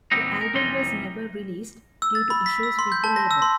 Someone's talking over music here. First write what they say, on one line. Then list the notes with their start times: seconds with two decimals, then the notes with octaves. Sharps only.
The album was never released due to issues with the label.
0.12 E2 A#2 G3 B3 C4 D#4
0.41 A#4
0.54 C2 F2 E3 G3 D#4 C6
2.02 E6
2.15 A6
2.30 B5
2.46 B6
2.63 E6
2.79 C6
2.92 G6
3.04 A5
3.16 A#6
3.31 E6
3.42 C6